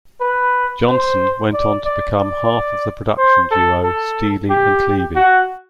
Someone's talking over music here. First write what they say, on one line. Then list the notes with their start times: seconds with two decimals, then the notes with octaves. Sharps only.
Johnson went on to become half of the production duo Steely and Clevie.
0.21 B4
0.87 C5
1.53 D5
1.85 D5
2.19 D5
3.18 C5
3.52 A4
3.84 A4
4.50 G4
5.16 F#4